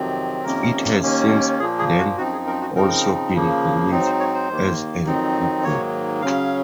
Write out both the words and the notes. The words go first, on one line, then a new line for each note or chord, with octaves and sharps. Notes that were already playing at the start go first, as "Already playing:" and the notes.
It has since then also been released as an ebook.
Already playing: F2 C3 D#3 F#3 C4
F2 C3 D#3 A#3 C#4 A#4
D#2 D#3 A#3 C#4
A#2 F3 A#3 G#4
G#4
F#4
F#2 F3 C4 D#4 F#4
G#4
A#4
F#4
C#3 F3 C4 D#4 A#4
C#3 F3 A#3
G#2 F#3 C4 D#4
C5
C#5
C5
D#2 D#3 A#3
F2 D#3 F#3 C4 D#4
G#2 D#3 F#3 A#3 C#5
C#3 F#3 C#4 F5